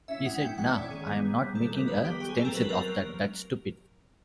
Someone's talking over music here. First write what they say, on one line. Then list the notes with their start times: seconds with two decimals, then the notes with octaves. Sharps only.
He said 'Nah, I'm not making a stencil of that, that's stupid!
0.08 C#4 E4 E5
0.25 G#3 F#5
0.41 C#4 E4 G5
0.58 G#3 F#5
0.66 E5
0.73 C#4 E4 D5
0.82 C#5
0.90 D#3 G#4
1.07 G3 B3 G#4
1.22 D#3
1.39 G3 B3
1.55 D#3 A4
1.72 G3 B3 A#4
1.88 D#3 B4
2.04 G3 B3 G4
2.20 F#3 G4
2.29 G#4
2.36 A3 C4 A4
2.45 A#4
2.54 F#3 B4
2.69 A3 C4 A#4
2.85 F#3